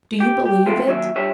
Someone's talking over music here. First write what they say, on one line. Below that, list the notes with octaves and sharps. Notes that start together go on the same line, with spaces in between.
Do you believe it?'
G4
G4
G#2 B2 E3 A3 C4 F4
D#2 F#3 C#5 E5
G2 G4 C#5 E5